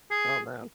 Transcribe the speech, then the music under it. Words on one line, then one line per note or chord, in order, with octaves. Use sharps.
Oh man.
G#4